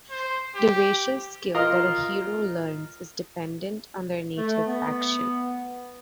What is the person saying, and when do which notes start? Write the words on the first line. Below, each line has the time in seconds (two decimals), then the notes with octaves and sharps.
The racial skill that a hero learns is dependent on their native faction.
0.11 C5
0.55 G4
1.54 F4 A#4 D#5 F5 A#5
4.37 A3
4.67 B3